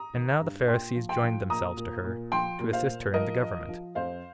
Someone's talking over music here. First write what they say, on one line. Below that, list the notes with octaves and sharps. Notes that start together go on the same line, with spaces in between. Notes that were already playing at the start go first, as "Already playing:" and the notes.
And now the Pharisees joined themselves to her, to assist her in the government.
Already playing: A#5 D#6
D#3
G2
A#2 G5 C6
F3
G5 C6
F3
A#2 A#5 D#6
A#2
A#2
F3 G5 C6
A#2
C5 F5
A#2
F3 A#4 D#5
F3
F3
F2 C5 F5